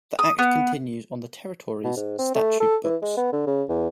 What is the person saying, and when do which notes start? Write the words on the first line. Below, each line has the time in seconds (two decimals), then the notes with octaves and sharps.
The Act continues on the Territory's statute books.
0.19 D#6
0.39 B3
1.84 B2
1.97 G#2
2.19 C4
2.35 A3
2.60 A4
2.84 E3
3.02 G#3
3.17 B3
3.33 D3
3.47 C#3
3.69 E2